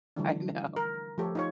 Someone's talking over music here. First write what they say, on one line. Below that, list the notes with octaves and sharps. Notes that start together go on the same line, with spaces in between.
I know.
D3 E3 F3 G3 A3 D4
A#4
F3 A3 G4 A4 C#5
D#4 F4 C#5